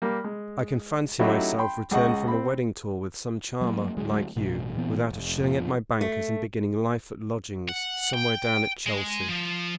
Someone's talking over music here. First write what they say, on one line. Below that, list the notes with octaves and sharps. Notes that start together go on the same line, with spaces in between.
I can fancy myself returned from a wedding tour with some charmer, like you, without a shilling at my banker's, and beginning life at lodgings, somewhere down at Chelsea.
G3 A#3
G#3
F#3 A3 C#4 D#4 E4 G4
G5 B5 C6
C#2 G#4 D#5 F#5 C#6
C4 B5
F#3 A3 A#3
D2 F#3 G#3
A1 G2 B2
A#2 E3 B3 C4
F1
F2 A#2 F3
A3
F#5
G5
G#3
F3